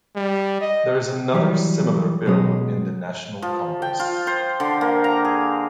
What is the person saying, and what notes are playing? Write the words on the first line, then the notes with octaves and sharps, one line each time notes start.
There is another similar bill in the National Congress.
G3
D#5
E3 F#3 G3
B2 F#3 G#3 C#4 D#6
F3
G5
F4
C5
D3
A#3
A#5
G#4